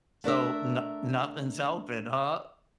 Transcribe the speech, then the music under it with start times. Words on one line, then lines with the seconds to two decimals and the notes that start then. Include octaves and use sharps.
So, no nothing's helping, huh?
0.24 A3 D4 A#4 E5